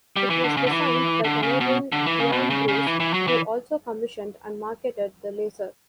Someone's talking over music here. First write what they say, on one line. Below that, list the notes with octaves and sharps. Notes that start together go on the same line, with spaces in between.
It was designed by Canadian Ian Bruce, who also commissioned and marketed the Laser.
G3
E3
D3
C#3
D3
E3
D3
C#3
B2
D3
E3
C#3
B2
C#3
C#3
E3
E3
F#3
E3